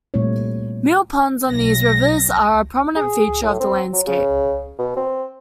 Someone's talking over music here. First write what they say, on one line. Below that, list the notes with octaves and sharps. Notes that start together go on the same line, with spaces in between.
Mill ponds on these rivers are a prominent feature of the landscape.
A#2 G3 A3 C4 E4 C#5
B1 A#6
G#4
A2
C4
F#3
C#3
B2
C4